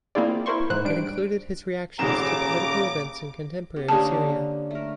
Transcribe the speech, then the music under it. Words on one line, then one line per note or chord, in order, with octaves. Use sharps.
It included his reactions to political events in contemporary Syria.
A#3 C4 E4 F4 G#4 D5
E4 A#4 C5 C6 C#6
G#2 E3 C5 F#6
G3 D4 D7
D#1 F2 G#2 C#3 A#5 D6 E7
B3 G4
D3 A#3 C#4 G4 A5
A3 A#4